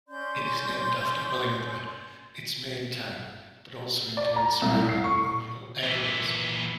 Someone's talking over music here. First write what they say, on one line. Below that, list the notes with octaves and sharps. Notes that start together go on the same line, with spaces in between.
It is named after Wellingborough, its main town, but also includes surrounding rural areas.
C#4 D5 C6 G6
D5
A#5
C2
A2
C7
C#6
A#2 E3